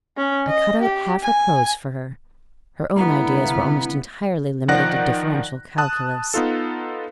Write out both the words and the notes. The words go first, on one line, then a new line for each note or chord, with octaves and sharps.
I cut out half her clothes for her; her own ideas were almost entirely limited to differential calculus.
C#4
D#5
G4
G#5
D3 G3 A3 B3 E4 A#5
C3 F5
D#3 F3 D5 F#5 F#6 A#6
A5 D#6 F#6
B3 D#4 F4 A4